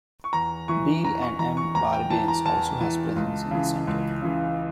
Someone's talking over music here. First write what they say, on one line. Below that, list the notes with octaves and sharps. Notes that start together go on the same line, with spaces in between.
B and M Bargains also has presence in the centre.
C#6
E2 A#5
E3 C#6
E2 A#5
C#6
E3 A#5
C#6
E2 A#5
G5
E3 A5
A#5
E2 A5
E3
C#2
C#3 E3
C#2
C#3 E3